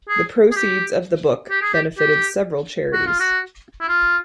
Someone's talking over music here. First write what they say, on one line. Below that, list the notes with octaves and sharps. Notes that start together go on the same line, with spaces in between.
The proceeds of the book benefited several charities.
G#4
G#4
G4
G4
G#4
G4
G4
F#4
F4
F#4
E4
F4